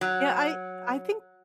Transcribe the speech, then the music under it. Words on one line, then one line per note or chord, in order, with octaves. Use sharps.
Yeah, I I think
F#3